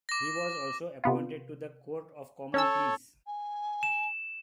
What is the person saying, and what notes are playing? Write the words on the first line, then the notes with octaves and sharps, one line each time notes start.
He was also appointed to the Court of Common Pleas.
D6 A#6
C3 B3 F4
C#4 A4 C#5 E6
G#5
E7